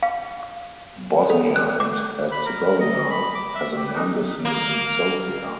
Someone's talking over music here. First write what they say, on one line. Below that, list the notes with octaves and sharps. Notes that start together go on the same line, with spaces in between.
Bosnia and Herzegovina has an embassy in Sofia.
F5
A4
F#6
D6
B5
A#4
D#5
B5
D6
E5
G4
D#4
A#3